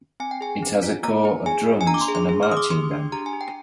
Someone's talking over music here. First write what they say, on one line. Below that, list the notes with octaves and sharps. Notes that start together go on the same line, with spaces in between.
It has a Corps of Drums and a "Marching" Band.
C4 G#5
G5
G#4 G#5
C4
F4
A#3 A#5
D#4
G#4 G#5
A#3
G#5
D4 A#5
D6
C6
G#4
C6
G#4
F6
G#4 D#6
D6
G4 C6
D4
G4 A#5
G#5
G4
G5